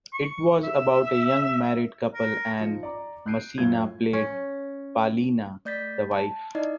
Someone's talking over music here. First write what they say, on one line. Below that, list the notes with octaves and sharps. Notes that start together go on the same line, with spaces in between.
It was about a young married couple and Masina played 'Pallina', the wife.
C#6
E5
A#4
F3 D#4 C#7
D5 A#5 D6
F#6 G6 C7 D7 D#7
F#2 A2 C#4 F4 G#6 G7
C#4
A3 D5 G6 A6 B6
A5
D#4 E4 D5 D#5